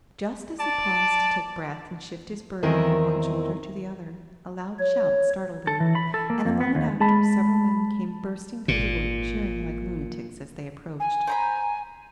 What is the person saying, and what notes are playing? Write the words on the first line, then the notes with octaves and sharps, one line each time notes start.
Just as he paused to take breath and shift his burden from one shoulder to the other, a loud shout startled him, and a moment after, several men came bursting through the wood, cheering like lunatics as they approached.
D5 A5
E2 D#3 C4 E4 A#4 G#5
C#5
A4
E3
B5
A4
A#3
F2
B3
D#2
G#3 A5 B5
G#1 A#2
G#5
C5 A#5 B5